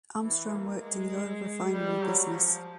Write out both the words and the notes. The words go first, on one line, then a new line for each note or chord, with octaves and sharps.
Armstrong worked in the oil refinery business.
E3
A#3
G#3
G3
F#3
F3